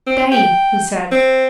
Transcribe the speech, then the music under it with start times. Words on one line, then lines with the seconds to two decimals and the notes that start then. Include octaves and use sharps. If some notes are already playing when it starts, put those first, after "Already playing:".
"Stay!" he said.
0.07 C4
0.32 G5
1.12 C4